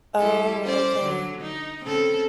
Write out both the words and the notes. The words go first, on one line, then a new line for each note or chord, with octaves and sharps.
Oh, okay.
G3 E4 A4
C#4 C5 D5
D3 F#3
D#4
C#3 C4 A4